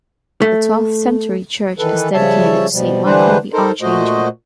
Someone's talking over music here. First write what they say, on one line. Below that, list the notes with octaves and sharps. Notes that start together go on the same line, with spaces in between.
The twelfth- century church is dedicated to Saint Michael the Archangel.
A3
D#3 E3 A4 B4
C#3 F3 G3 C#5 E5 A5
B2 F3 G3
D3 E3 G3 D4 B4 C5
D#4 A4 A#4 C5
A#2 A3 F#4 C5 D#5